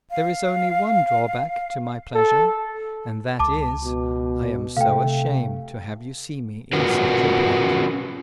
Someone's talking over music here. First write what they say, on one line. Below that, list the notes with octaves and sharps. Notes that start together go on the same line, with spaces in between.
There is only one drawback to my pleasure, and that is, I am so ashamed to have you see me in such a plight.
F5
A4
C#2 A5 D6
B2
C3 A3 F5 G5
C#4 F4 F#4 A#4 B4